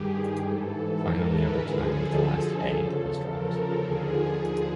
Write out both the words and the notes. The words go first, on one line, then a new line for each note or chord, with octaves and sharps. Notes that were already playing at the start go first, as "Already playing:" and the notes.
Finally over time the last "a" was dropped.
Already playing: G2 D#3 G4 G#4
G#4
G#2 E3 A4
A#4
B4
F#2 D3 F3 G#4
A4
E2 C#3 F3
A#4
D#2 D3 F3 G#4
G#4
G#4